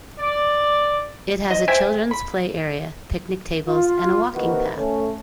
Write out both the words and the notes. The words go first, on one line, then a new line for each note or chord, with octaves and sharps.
It has a Childrens Play Area, Picnic Tables, and a Walking Path.
D5
D#5
C5 E5 G5 G#5
B5
F4
C3 D#3 E3 A#3 F#4 B4
A3 C#4